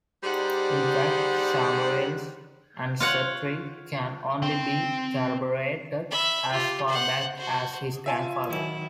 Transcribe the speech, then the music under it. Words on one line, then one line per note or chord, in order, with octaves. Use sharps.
In fact, Somairle's ancestry can only be corroborated as far back as his grandfather.
G3 D#4 G#4 C5 D5 F#5
F4 C#5 F#5
C4 G5
E5 B5
F4 G4
C5 F#5
F#4 C5
F4 E5 G#5 A5
D#3 F#3 E4